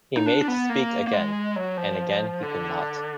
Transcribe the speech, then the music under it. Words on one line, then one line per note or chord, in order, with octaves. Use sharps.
He made to speak again, and again he could not.
D#4
D4
D4
B3
A#3
A#3
G#3
F#3
F3
D3